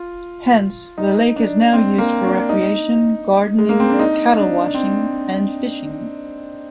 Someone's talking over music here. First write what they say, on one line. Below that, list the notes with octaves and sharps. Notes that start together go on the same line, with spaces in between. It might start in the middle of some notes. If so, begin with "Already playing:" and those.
Hence, the lake is now used for recreation, gardening, cattle washing and fishing.
Already playing: F4
D#4
D4
C4
A#3
D4
D#4
G#3
A#3
C4
D4
D#4
D4
C4